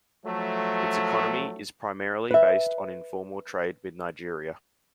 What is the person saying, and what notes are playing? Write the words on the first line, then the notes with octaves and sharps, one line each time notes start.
Its economy is primarily based on informal trade with Nigeria.
F3 F#3 A3
B4 E5